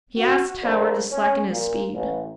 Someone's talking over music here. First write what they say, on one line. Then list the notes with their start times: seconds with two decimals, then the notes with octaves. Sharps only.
He asked Howard to slacken his speed.
0.17 F#4
0.62 A#1
1.12 C#4
1.51 A#2
1.94 A1